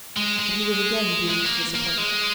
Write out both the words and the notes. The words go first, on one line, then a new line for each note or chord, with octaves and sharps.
But he was again doomed to disappointment.
G#3
G#3
G#3
A#3
A#3
G#3